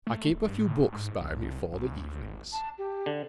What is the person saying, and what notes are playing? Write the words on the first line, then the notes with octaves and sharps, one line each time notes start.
I keep a few books by me for the evenings.
A3
D1
G2
A2
G#2
C2
B1
D2
G#1
A5
G4
D3